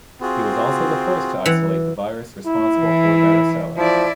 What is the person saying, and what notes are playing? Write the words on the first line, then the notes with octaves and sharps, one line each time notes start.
He was also the first to isolate the virus responsible for varicella.
C4 F4 F#4 G#4
E3 F#5
E4
E3
F3 E4 D5